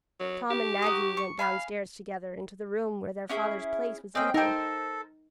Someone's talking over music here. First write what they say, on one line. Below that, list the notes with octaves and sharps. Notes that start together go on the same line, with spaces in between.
Tom and Maggie went downstairs together into the room where their father's place was empty.
F#3
G4
F#4 A#5 D#6
C#6
F5 G#5 B5 F6
C#4 E4 G#4
C4 C#4 C5 D#5 G5
D#4 A4 A#4 C5 G5